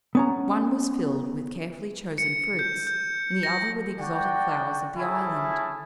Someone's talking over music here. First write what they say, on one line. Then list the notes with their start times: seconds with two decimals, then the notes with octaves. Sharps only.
One was filled with carefully chosen fruits, and the other with the exotic flowers of the island.
0.15 B3 C#4 A#5
2.18 C#7
2.59 G6
2.87 G6
3.43 A#6
3.99 D4 F#4 D5 G5
4.97 A3 C#4 E4 G#4 G#5 A5